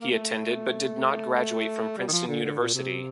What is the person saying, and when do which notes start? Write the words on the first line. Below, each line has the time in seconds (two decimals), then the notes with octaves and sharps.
He attended but did not graduate from Princeton University.
0.02 A#3
0.11 A3
1.35 A3
1.97 G3
2.08 D#3
2.12 F3
2.28 D3
2.44 D3
2.59 A#2
2.75 C3